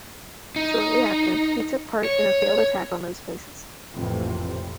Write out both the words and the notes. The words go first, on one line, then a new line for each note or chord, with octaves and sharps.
Shortly after, he took part in a failed attack on those places.
D#4
C#5
A#1 F2 A2 C3 E3 C4